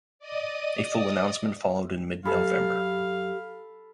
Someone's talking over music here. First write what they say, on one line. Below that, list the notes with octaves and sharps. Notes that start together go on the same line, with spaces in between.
A full announcement followed in mid November.
D5 D#5 D#6
F#2 G4 A4 F5 B5